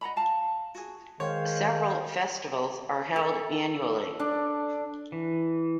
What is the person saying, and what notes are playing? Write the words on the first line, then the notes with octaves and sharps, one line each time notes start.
Several festivals are held annually.
D#5 F#5 A#5 B5
F5 A5 A#5
F#4 G#4
D#3 G#3 C5 C#5 F5
A4
D4
E3